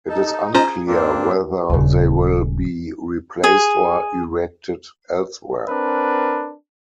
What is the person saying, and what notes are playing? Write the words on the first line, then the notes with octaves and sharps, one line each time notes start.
It is unclear whether they will be replaced or erected elsewhere.
D#4 A4
C#4 F4 G#4 C5 A#5
G2 A#3 C4 D4
D#1 C#3
G#4
C4 D4 A#4 B4